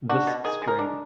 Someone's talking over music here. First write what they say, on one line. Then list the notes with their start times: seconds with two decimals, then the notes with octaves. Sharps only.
This stream.
0.09 D4 F#4
0.27 B2
0.44 D#3 G#4
0.62 G#3
0.68 A#4
0.79 D4